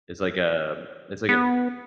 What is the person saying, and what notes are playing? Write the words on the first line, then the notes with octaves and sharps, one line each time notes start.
it's like a it's like a
B3